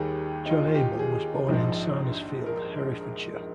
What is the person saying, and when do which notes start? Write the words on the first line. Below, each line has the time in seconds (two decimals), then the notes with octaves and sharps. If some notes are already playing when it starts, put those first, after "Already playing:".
John Abel was born in Sarnesfield, Herefordshire.
Already playing: D#2 D#3 G3 G4 G#4
0.46 D#4
0.51 F4
0.67 F4
0.75 G4
0.99 G#4
1.49 A#1 G#2 F3 G#3
2.46 A#4